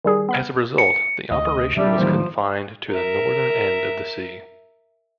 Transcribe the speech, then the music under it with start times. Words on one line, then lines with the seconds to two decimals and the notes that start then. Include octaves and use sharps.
As a result, the operation was confined to the northern end of the sea.
0.05 D#3 G3 G#4
0.29 B3 B5 F6
0.78 C#7
1.31 D2 D#5
1.77 A#2 F#3 G3 A#3 C4 D4 E5
1.98 E2 A2 D#3 F3 C5
2.90 A#4 E5